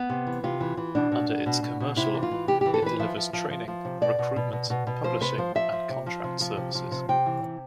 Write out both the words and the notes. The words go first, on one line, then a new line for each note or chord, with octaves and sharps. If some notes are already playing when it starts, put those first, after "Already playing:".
Under its commercial arm, it delivers training, recruitment, publishing and contract services.
Already playing: B3
C3
E3
C3 F4
E3
E3
B2 D4
B2
B2
B2
B2
B2
C3 E4
E3
F4
E3
C3 G4
E3 G4
A4
E3 B4
F3 E5
F3
F3
F3
F3
C3
B2 D5
B2
B2
B2
B2
B2
F3 C5
C3 B4
F3 C5
F3 E5
F3
C3
F3
C3
F3
C3
F3
C3
C3 G5
E3
C3